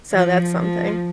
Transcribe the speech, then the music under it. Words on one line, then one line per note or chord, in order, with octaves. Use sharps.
So, that's something.
F3
F3